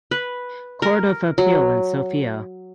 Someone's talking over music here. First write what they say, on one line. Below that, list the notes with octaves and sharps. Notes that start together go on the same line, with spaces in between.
Court of Appeal in Sofia.
B4
A#4
F#3